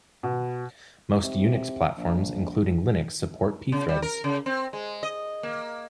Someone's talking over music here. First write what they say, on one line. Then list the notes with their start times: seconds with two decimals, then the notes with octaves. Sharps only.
Most Unix platforms including Linux support Pthreads.
0.23 B2
1.23 C3
1.97 A#1
3.72 C#3
3.89 G3
4.02 A#4
4.24 C#3
4.46 C4
4.73 G#3
5.03 D#5
5.43 A#3